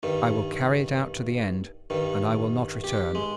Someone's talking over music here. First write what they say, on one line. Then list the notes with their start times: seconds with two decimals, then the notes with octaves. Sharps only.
I will carry it out to the end, and I will not return.
0.03 G2 D#3
1.90 G2 D#3
2.84 G4
3.15 G#3